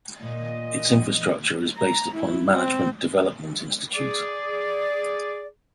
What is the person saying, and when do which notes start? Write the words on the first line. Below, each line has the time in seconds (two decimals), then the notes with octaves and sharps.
Its infrastructure is based on Management Development Institute.
0.22 A#2 D#5
1.78 A#5
2.15 E4
2.54 C4
3.95 G#4 D5